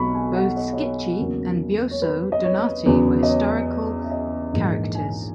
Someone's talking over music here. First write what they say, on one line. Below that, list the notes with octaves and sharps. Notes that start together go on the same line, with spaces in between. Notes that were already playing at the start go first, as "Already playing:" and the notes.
Both Schicchi and Buoso Donati were historical characters.
Already playing: B1 B2 F#3 B5 C#6
G#5
F#5
D#5
D#5
C#5
E2 C#3 F#3 A#3
C#5
B4
D#5
C#5
E2 C#3 F#3 B3
D#5
C#5
E5
D#5
A#1 G#2 E3 A#3
G#5